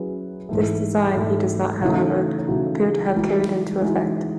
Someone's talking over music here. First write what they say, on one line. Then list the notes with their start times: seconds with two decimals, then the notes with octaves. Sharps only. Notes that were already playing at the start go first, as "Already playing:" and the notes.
This design he does not, however, appear to have carried into effect.
Already playing: F#3 C#4 E4 G#4 B4
0.49 G#2 E3 A3
1.15 G#2 E3 A3
1.81 C#3 E3 A3 D#4 F#4
2.47 C#3 E3 A3 D#4 F#4
3.14 E3 G#3 D#4 F#4
3.81 E3 G#3 D#4 F#4